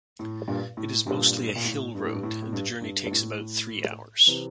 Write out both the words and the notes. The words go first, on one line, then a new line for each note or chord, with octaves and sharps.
It is mostly a hill road and the journey takes about three hours.
A2
G2 A#2
A2
G2 A#2
A#2
A2
G2
A2
G2
A2
A2
G2
G2
G2
A2
C3 E3